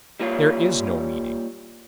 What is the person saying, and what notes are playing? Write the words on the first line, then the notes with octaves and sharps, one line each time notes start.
There is no meaning.
G3 A#3 F4 C#5 F5